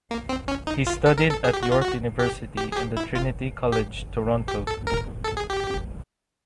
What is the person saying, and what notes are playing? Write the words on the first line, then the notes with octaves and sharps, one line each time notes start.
He studied at York University and the Trinity College, Toronto.
A#3
C4
C#4
D#4
F4
A4
A#4
A4
G#4
G4
F#4
F4
F#4
G4
G4
G#4
G4
E4
F4
G4
G4
A4
A#4
A4
G#4
G4